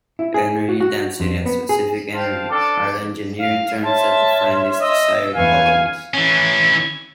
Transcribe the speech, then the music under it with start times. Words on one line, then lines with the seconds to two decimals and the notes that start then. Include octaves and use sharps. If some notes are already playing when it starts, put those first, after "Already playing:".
Energy density and specific energy are the engineering terms that define these desired qualities.
0.19 E4
0.34 G#4
0.69 F#4
0.80 F#4
1.20 F2
1.46 B3
1.69 G#4
2.14 C5 F5 G5 A5
2.51 D4 A4 D6
3.39 F5
3.83 C#5 E5 A5 C6 F6
4.82 D#5 E6
5.34 E2 B4 F5 G#5 C#6
6.14 E3 C#4